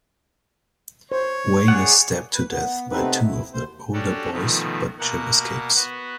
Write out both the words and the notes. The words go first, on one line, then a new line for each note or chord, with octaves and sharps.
Wayne is stabbed to death by two of the older boys, but Jim escapes.
C5 C#5
G#4 D5 F#5
B4
B3
C3 A3 B3 C4 D#4 B4
E4
D#2 C5
C#4 D4 F#4 G4 A4
B2 D#3 F3 A3
B2 A#3 F#5
B3 F#4